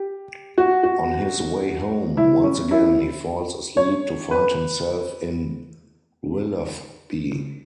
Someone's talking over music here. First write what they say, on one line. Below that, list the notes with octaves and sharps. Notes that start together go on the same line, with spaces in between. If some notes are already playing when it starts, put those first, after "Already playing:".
On his way home, once again he falls asleep to find himself in Willoughby.
Already playing: G4
F#4
F#4
E4
C#4
E4
C#5
B4